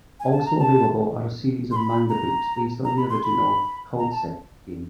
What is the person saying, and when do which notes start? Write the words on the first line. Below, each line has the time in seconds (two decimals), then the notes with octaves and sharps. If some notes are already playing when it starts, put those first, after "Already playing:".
Also available are a series of manga books based on the original "Culdcept" game.
0.20 G#5
0.32 A5
0.46 A#5
0.59 A5
1.71 C6
1.76 B5
2.09 A#5
2.84 A#5
2.97 B5
3.10 C6
3.22 B5
3.98 A#5
4.11 A5